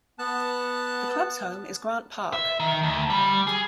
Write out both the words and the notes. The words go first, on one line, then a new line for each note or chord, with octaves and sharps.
The club's home is Grant Park.
B3 A5 F#6
E5
D#3
D2
G3
G#4